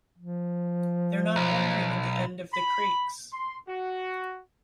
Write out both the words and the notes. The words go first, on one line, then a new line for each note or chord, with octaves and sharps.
They're not only in the end of the creeks.
F3
B1
B5
C6
F#4